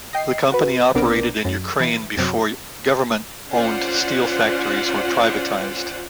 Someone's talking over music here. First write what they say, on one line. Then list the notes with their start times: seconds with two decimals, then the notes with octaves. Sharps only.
The company operated in Ukraine before government-owned steel factories were privatized.
0.13 D#5 G5 C7
0.52 F#4 B4
0.94 B1 C3 B3 D4 A#4 D6
1.45 F#2
1.80 E3
2.17 F#2 C3 F#3
3.51 C#4 F4 C5 D5 F#5